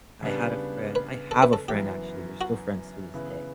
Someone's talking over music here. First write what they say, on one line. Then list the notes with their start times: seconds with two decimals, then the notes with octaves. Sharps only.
I had a friend I have a friend, actually, we're still friends to this day,
0.23 C#3 G3 B3 D4
0.95 B4
1.31 A4
1.43 B4
1.53 A4
1.68 F#2 E3 B3 G4
2.41 F#4
3.14 C#3 E3 B3 E4